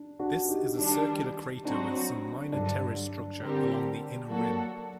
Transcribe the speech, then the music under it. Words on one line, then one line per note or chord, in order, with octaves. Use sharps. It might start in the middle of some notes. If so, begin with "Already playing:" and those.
This is a circular crater with some minor terrace structure along the inner rim.
Already playing: D4
D4 F#4
D#4 G4
D#3 G3 D4
F#3 C4 D4 D#4 F#4
G2 D3 F#3 D4
D3 G3 C4 G4 A#4
F#3 A#3 F#4 A4